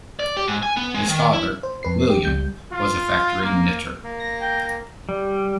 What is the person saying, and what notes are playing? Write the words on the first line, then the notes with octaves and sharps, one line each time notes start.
His father, William, was a factory knitter.
D5
G4
G#2
G#5
B3
G#3
D#3
E4
C5
F2 B4 C7
G4
C#2 G3 G6
F4
A#3
A#3
A#6
G5
G3